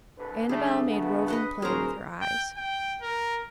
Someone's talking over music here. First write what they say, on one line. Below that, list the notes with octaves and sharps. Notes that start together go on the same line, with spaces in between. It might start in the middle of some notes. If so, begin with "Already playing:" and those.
Annabel made roving play with her eyes.
C2 D3 B4
D3 G3 A3 G#4
C#3 A3 B3
B4 D#5 F#5
D#1 F#4 G#4 A#4 C5 A#5
G5
G5
A#4